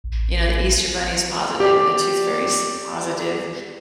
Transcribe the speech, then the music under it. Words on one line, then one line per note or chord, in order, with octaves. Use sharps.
you know, the Easter bunny's positive, and the Tooth Fairy's positive,
A1
G4 D5